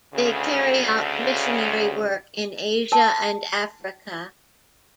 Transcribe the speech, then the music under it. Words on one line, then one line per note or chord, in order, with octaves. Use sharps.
They carry out missionary work in Asia and Africa.
D2 C#3
A#4 A5